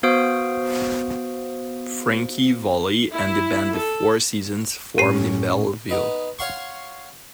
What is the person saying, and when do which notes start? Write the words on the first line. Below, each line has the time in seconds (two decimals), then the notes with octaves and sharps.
Frankie Valli and the band The Four Seasons formed in Belleville.
0.03 B3 F#4 C5 F5 D#6 D7
3.13 E4
3.75 A4
4.98 A2 C#4 G4 C7
5.89 B3 D#4 B4
6.39 C#5 F5 F#5 C6 C#6